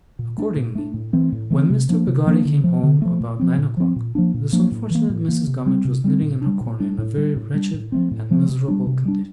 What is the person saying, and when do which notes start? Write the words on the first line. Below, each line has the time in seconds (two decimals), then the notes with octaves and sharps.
Accordingly, when Mr. Peggotty came home about nine o'clock, this unfortunate Mrs. Gummidge was knitting in her corner, in a very wretched and miserable condition.
0.19 A#2
0.38 A3 D4
0.56 A#2
0.75 A3 D4
0.94 A2
1.13 E3 A3 C4
1.32 A2
1.50 E3 A3 C4
1.70 C3
1.89 F3 A#3 D4
2.07 C3
2.26 F3 A#3 D4
2.45 D3
2.64 F3 A3
2.83 D3
3.02 F3 A3
3.20 A#2
3.39 F3 C4
3.58 A#2
3.77 F3 C4
3.96 A#2
4.15 F3 A#3 D4
4.34 A#2
4.52 F3 A#3 D4
4.72 A2
4.90 E3 A#3
5.10 A2
5.28 E3 A#3
5.47 C3
5.66 G3 C4
5.85 C3
6.04 G3 C4
6.22 A#2
6.41 G3 D4
6.61 A#2
6.80 G3 D4
6.98 A2
7.17 G3 D4
7.36 A2
7.55 G3 D4
7.74 A2
7.92 F3 A3 C4
8.11 A2
8.31 F3 A3 C4
8.49 C3
8.68 G3 D4
8.87 C3
9.05 G3 D4